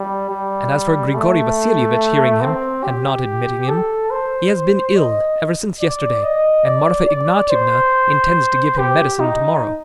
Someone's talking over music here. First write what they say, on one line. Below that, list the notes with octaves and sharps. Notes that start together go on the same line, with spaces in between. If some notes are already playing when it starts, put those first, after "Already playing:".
And as for Grigory Vassilyevitch hearing him and not admitting him, he has been ill ever since yesterday, and Marfa Ignatyevna intends to give him medicine to-morrow.
Already playing: G3
G3
A3
C4
G4
A4
C5
D#5
D5
D#5
D5
D5
C5
G4
D#4